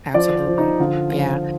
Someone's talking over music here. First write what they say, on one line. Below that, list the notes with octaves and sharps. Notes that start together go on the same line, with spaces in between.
Absolutely. Yeah.
F3 D5
C5
F3
D#4
D3 F4
F3